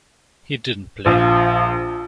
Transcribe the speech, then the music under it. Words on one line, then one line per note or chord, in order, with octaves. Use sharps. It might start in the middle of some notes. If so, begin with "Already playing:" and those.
He didn't play.
A#1 F3